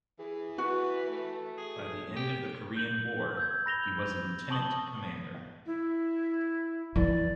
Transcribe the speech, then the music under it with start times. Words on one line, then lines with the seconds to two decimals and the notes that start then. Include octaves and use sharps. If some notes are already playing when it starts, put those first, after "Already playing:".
By the end of the Korean War, he was a lieutenant commander.
0.19 E3 G#4
0.58 F#4 B4
1.08 A3
1.57 G#4
2.16 G4
2.77 G6 F#7
3.37 E6 G6 G#6
3.66 B5 A#6 F7 G7
4.50 A5 C#6 D#6 F#7 G7
5.66 E4
6.96 E3 D5